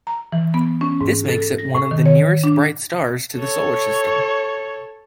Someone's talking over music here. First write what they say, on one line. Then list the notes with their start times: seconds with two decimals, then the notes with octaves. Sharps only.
This makes it one of the nearest bright stars to the Solar System.
0.07 A#5
0.32 E3
0.54 B3
0.81 C#4
1.01 G#2
1.28 A4
1.58 A#6
1.75 A2
1.91 D#3
2.06 C#5
2.44 D4
3.36 A4 C#5